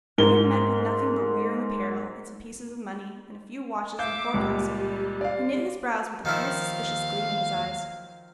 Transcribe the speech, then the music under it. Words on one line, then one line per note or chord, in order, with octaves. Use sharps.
I had met with nothing but wearing apparel, and some pieces of money, and a few watches in the forecastle. He knit his brows with a fierce suspicious gleam in his eyes.
G#2 A#4 G7
E5 F5 D6 G6 C7
C#2 A#2 G3
D5 F5
D#2 D#3 F3 E4 F5